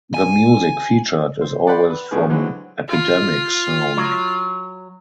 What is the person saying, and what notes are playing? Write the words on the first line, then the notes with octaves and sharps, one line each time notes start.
The music featured is always from Epidemic Sound.
G#5
C5
B4 D5 F#5 G5 B5 C6
B4
A2 D3 F3 G#3 B3 G#4
D3 E3 F#3 G#3 C4
F4
F#3